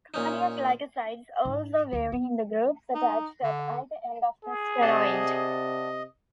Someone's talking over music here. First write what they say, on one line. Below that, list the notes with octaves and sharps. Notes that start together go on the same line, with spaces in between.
Cardiac glycosides also vary in the groups attached at either end of the steroid.
A#2 C#4 D#4
G#2
D2
B3
D#4
D3
G#4
C3 D5 D#5 F#5 A5